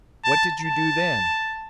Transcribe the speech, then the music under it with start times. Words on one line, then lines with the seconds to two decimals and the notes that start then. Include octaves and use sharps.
"What did you do then?"
0.25 A5
0.60 A5